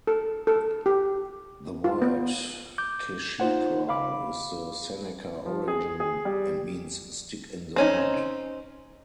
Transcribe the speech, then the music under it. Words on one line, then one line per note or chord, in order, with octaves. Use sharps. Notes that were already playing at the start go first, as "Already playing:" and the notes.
The word Keshequa is of Seneca origin and means Stick in the Mud.
A4
A4
G4
F4
B3
D6 G6
D#4 F4 C5 F#5
F5 B5 D6
F3
G#4
G#4
G3
C4 C#4 D#4